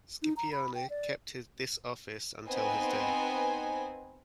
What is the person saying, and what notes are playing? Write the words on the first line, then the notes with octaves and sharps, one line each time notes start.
Scipione kept this office until his death.
D#4
A#5
B5
G5
D5
B3 C4 D#4 B4 C5 G#5